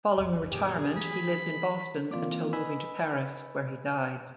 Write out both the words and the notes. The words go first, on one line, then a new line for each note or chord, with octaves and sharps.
Following retirement he lived in Boston until moving to Paris, where he died.
F1 C2 F#2
F#2 A#2 D#3 G4 G#4
E3 F#3 B5
E3 A#3 C4 F4 D5 D6
B4 D#5 G#5 B5 E6